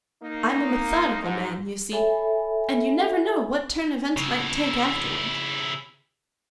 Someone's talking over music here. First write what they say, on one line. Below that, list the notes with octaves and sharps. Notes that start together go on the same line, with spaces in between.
I am a methodical man, you see, and you never know what turn events might take afterwards.
A#3 D#4
G#2
A4 C#5 E5 G#5 B5
C#3 E4